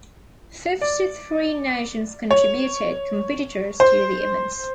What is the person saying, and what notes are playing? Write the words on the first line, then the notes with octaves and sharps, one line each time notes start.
Fifty-three nations contributed competitors to the events.
D5
C#5
C5